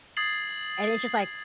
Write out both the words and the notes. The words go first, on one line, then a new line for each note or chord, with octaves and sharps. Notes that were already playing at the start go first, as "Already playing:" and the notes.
And it's just, like,
D#6 G#6 A6 C7 F#7